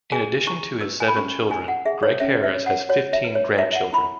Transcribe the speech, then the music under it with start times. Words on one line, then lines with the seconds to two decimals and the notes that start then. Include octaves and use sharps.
In addition to his seven children, Gregg Harris has fifteen grandchildren.
0.12 G#4 G#5
0.47 E4 C#6
0.81 B4 E6
1.00 G#5
1.08 B5
1.16 C#4 C#6
1.51 E4 G#5
1.68 F#5
1.86 G#4 E5
2.03 C#5
2.20 C#4 E5
2.43 E5
2.55 C#5
2.66 F#5
2.89 F#4 C#5
3.13 E5
3.24 B4
3.35 C#5
3.58 E4 E5
3.72 E5
3.75 F#5
3.93 E4 B5